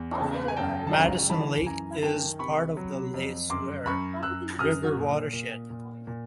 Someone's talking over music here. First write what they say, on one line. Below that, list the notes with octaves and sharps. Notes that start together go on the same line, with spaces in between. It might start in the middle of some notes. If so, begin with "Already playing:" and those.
Madison Lake is part of the Le Sueur River watershed.
Already playing: E2
C#3
G#5
F#2 G5 A5
A5
C#3 G#5 A#5
E3 A5 B5
F#2 G#5 A#5
D#3 G5 A5
C3 B5 C#6
F#3
F2
F#2 C6 D6
F#2 B5 C#6
F#2 E6 F#6
F#2 D#6 F6
A#2
A#2
A#2
A#2